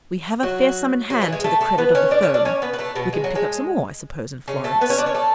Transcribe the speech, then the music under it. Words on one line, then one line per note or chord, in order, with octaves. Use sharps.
We have a fair sum in hand to the credit of the firm; we can pick up some more, I suppose, in Florence.'
F#3 F#4
F#3 F#4
E3 E4
G#3 G#4
A3 A4
A3 A4
B3 B4
C#4 C#5
D4 D5
C#4 C#5
D4 D5
C#4 C#5
B3 B4
B4
A3 A4
B2 B3
G#3
F#3
G#3
C#3 C#4
A3 A4
B3 B4
C#4 C#5
D4 D5
C#4 C#5
A3 A4